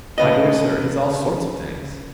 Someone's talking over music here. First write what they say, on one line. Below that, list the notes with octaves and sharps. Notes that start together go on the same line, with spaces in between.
'My dear sir, he's all sorts of things.'
C#3 B4 D#5